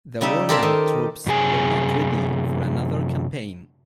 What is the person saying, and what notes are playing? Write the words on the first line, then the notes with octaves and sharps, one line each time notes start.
The worn-out troops were not ready for another campaign.
C#3 G3 D#4 E5
G4 A4 A#4 C5 D5 E5
D#3
F#2 C3 G#4 G#5